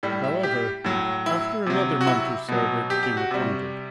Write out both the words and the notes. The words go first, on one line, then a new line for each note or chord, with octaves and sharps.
However, after another month or so they became acquainted.
A2 G3
E5
G4
A2 F#3
E4
C3 F#3
F#4
E4
B2 F#3
G4
G4
F#4
C3 G3